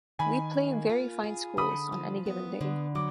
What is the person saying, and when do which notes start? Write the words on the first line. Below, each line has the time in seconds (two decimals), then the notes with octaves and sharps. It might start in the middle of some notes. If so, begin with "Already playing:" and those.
We play very fine schools on any given day.
0.19 D#3 G#5 B5
0.54 A#3
0.89 F4
1.24 G#4
1.57 D3 B5 D#6
1.92 F3
2.26 B3
2.61 D3
2.95 F#3 D6